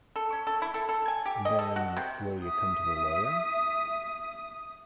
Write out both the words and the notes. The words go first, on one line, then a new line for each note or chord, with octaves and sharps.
Then, will you come to the lawyer?
A4
C#4
A4
E4
A4
A4
G#5
G4
D#5
A4
F#4
C3
E5 D#6